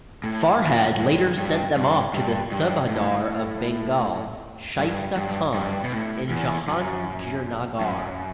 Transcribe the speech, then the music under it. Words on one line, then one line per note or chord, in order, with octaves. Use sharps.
Farhad later sent them off to the Subahdar of Bengal Shaista Khan in Jahangirnagar.
A2
F#2
G2
G2
G2
G2
G2
A2
G2
G2
G2
B2
A2
E2
F#2
F#2